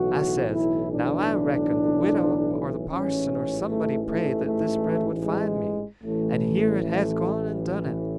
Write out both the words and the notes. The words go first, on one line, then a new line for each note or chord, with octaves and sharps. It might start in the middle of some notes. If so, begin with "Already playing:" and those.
I says, now I reckon the widow or the parson or somebody prayed that this bread would find me, and here it has gone and done it.
Already playing: B1 A2 E3 F#4
E4
D4
A1 G#2 E3 C#4
A3
A3
A3
G#3
A1 A2 E3 A3
A3